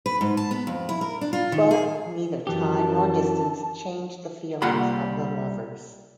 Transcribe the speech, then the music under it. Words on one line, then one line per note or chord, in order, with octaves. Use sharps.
But neither time nor distance changed the feelings of the lovers.
B4
G#2
A5
B3
F2
E4
A#4
D4
F4
D#3
G#4
F#2 E3 G4 A5
C2 G3 A#3 F4 F#5 B5